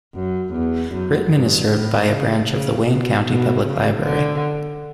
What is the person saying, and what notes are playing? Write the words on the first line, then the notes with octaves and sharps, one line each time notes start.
Rittman is served by a branch of the Wayne County Public Library.
F#2
E2
F#2
G2
A2
C#3
C#3
B2
B2
C#3
D3